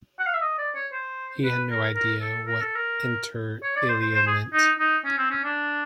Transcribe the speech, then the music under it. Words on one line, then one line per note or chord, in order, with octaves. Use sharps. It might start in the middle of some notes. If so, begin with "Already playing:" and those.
He had no idea what inter alia meant.
F#5
F5
E5
D#5
D5
C#5
C5
B4
A#4
A#4
A4
A#4
A4
A#4
C#5
D5
C5
C5
C5
G#4
D#4
D#4
C#4
C4
C#4
D4